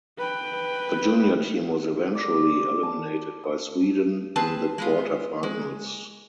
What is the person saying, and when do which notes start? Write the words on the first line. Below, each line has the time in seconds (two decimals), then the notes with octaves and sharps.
The junior team was eventually eliminated by Sweden in the quarter finals.
0.18 B4 G5
2.15 D5
2.83 A5
3.43 D#6
4.36 C4 G#4 B4 A5
4.78 G#3 B3 F4
5.43 G#3